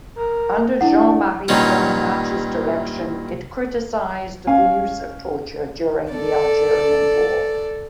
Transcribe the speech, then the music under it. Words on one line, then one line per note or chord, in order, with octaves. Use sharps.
Under Jean-Marie Domenach's direction, it criticized the use of torture during the Algerian War.
A#4
D4 E4 F#5
G2 A#2 D#3 F#3 C#4
C#4 F5 G#5
A4 D5